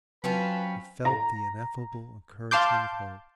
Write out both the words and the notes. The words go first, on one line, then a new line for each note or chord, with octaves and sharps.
He felt the ineffable encouragement of hope.
F#3 C4 C#4 F4 B4 A5 B5
A#5
F5 A5 C6 D6 G6